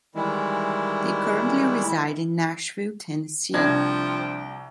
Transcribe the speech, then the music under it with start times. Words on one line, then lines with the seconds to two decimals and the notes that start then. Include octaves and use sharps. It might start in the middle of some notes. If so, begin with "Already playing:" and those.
They currently reside in Nashville, Tennessee.
0.15 D#3 E3 G3 G#3 E4
3.54 C2 F3 D4 G5 G#6 A#6